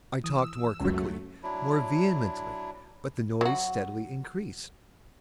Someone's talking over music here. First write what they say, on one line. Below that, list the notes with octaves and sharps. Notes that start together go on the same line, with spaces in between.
I talked more quickly--more vehemently; but the noise steadily increased.
E3 D#6 E6
C#2 F#2 F#3 A3 C#4 F#4
F#3 D4 E4
F#3 F#4